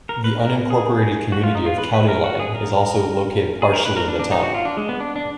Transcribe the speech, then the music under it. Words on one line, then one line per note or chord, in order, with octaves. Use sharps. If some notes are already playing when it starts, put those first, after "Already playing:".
The unincorporated community of County Line is also located partially in the town.
A#4
B4
A#4
G#4
F#4
F4
D#4
F4
B4
B4
A#4
F#4
G#4
A#4
G#4
A#4
B4
A#4
D4
D4
D#4
F#4
F4
D4
G#3
B3
D4
D4